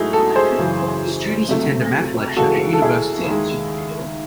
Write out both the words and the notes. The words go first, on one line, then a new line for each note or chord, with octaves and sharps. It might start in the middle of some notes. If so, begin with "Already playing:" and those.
Students attend a math lecture at university.
Already playing: G#2 F#3 A3 D#4 E4 F#4 G#4
F#4 A4
G#4 C5
F#2 C#3 E3
C#2 C3 F#3 A3
C#2 C#3 E3 G#3 F#4 A4
A4
E4 G#4
D#2 D#3 G#3